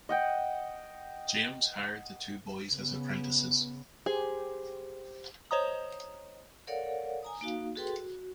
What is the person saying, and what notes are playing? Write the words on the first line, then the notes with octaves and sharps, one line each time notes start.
James hired the two boys as apprentices.
D#5 F#5 G5
C#3 B3
G4 G#4 C5
C5 C#5 D#5 A#5 D#6
A4 A#4 C#5 D5 F5 F#5
G#5 A#5 D#6
A#3 D#4 F#4 F5
F#4 G#4 A4 B4 G5 C6
F#4